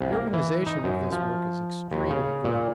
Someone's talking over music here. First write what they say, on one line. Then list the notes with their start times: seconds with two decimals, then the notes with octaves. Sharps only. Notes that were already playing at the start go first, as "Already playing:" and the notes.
The organisation of this work is extremely good.
0.01 C2
0.12 A#3
0.33 E3
0.66 D#4
0.84 F#2
1.12 F3
1.91 D#2
2.10 C#3
2.44 A#2